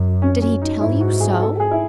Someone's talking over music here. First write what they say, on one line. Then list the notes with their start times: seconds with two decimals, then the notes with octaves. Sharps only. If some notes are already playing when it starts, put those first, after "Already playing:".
"Did he tell you so?"
Already playing: F#2
0.22 C#4
0.42 C#4
0.62 D#4
0.81 G#2 E4
1.01 F#4
1.20 G#4
1.33 G#4
1.41 A4
1.60 G#4
1.71 E4